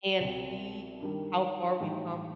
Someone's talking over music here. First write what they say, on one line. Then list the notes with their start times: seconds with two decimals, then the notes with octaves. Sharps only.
and see w how far we've come.
0.20 C2 B2 G3 C4
1.00 G2 D#3 G3
1.80 A2 E3 G3 D#4